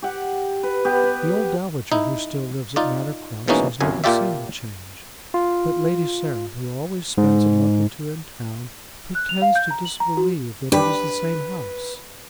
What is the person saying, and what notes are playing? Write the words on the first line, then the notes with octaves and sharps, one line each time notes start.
The old Dowager who still lives at Manor Cross has never seen the change, but Lady Sarah, who always spends a month or two in town, pretends to disbelieve that it is the same house.
G4 F#5
B4
B3 G4
B4
D#4 E4
D#4 F4 D5
G#2 B2 E3 A#3 C#4 D#4
G1 C2 F#2 G#5
A#2 A#3 F4 G4 D5 E5
F4
G#2
F#6
F7
F5
G6
A#5
F#7
A#5
F#4
D4 G4 B4